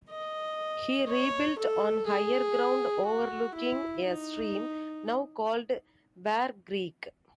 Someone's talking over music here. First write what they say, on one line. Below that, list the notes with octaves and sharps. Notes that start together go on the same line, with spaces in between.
He rebuilt on higher ground overlooking a stream, now called Ware Creek.
D#5
C#5
A4
G#4
F#4
E4
D#4